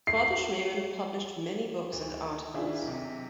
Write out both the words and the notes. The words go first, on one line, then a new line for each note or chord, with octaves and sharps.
Father Schmemann published many books and articles.
C7
D2
D#3 D4 E4 F4 G#4 D5
B1 C3